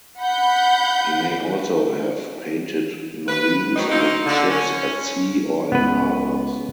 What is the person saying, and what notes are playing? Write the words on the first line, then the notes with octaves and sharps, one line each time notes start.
He may also have painted marines with ships at sea or in harbours.
F#5 B5 G6
B4
D#3 F#3 C4 D#4
A#3 C4 D#4
D3
C#4
C#2 B3 B4